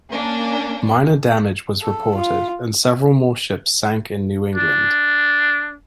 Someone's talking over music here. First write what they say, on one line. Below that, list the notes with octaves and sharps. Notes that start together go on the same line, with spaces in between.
Minor damage was reported and several more ships sank in New England.
A#3 C#4 D4
A4
F4
D4